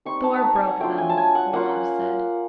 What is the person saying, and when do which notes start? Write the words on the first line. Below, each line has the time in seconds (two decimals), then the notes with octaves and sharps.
"Thor broke them," Olaf said.
0.05 G3 C4 D#4 C#6
0.23 A5
0.42 A#5
0.55 G#5
0.67 F#5
0.80 F#3 A3 D4 F4 G5
0.98 G#5
1.09 A5
1.17 G#5
1.35 F#5
1.53 A#3 C#4 F4 F#5